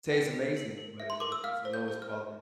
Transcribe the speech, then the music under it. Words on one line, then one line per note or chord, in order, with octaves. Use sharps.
tastes amazing, but it's the it's the lowest quality.
G5
A4
A#4
A#4
E5
C6
A#4 D6
E6
F5 F6
C5
G6
C5
F6
C5